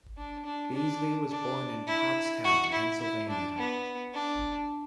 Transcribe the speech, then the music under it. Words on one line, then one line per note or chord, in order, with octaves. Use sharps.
Beasley was born in Pottstown, Pennsylvania.
D4
D4
D4
D4
E4
F#4
E4
E4
D4
B3
D4